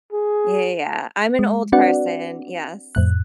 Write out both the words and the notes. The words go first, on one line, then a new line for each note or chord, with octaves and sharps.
Yeah, yeah, yeah. I'm an old person. Yes.
G#4
G#3
C4 D4 F#4 B4 D5 F#5
F2 A2 F#6